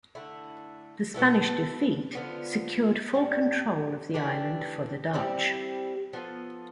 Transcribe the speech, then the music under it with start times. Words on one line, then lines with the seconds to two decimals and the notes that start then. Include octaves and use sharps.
The Spanish defeat secured full control of the island for the Dutch.
0.15 D3 A3 E4
1.14 B2 B3 E4 A4
2.15 D3 F3 B3 F4
3.14 A2 G3 D4
4.14 E3 A3 D4 G4
5.13 G3 C4 E4 G4
6.13 F3 B3 F4 A4